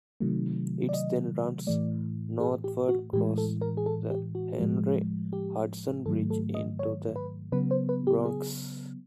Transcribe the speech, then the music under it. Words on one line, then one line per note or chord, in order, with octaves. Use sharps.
It then runs northward across the Henry Hudson Bridge into the Bronx.
C3 D#3 F#3 A3
D5
D#5
A2 E3 A3 D5
G#4
G4
F#4
A2 E3 G#3 G4
A4
A#4
G#4
A4
G4
F#4
A2 F3 G#3
G4
G#2 D#3 F#3 A3 A4
A4
D#5
C#5
B4
C#3 F#3 B3 B4
C5
B4
G4
G#4